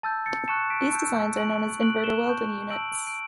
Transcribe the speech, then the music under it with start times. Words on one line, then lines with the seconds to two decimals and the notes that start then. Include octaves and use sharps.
These designs are known as inverter welding units.
0.03 A5 E6 G6 A6
0.26 A6 C#7
0.48 A5 C#6 F#6 C#7 E7
0.70 B6 D7
0.92 A5 E6 G6
1.37 C#6 F#6 D7 F#7
1.81 C#6 F#6 D7 F#7
2.03 E7 G7
2.25 A5 C#6 G6
2.70 A5 E6 G6 D7 F#7
3.07 D7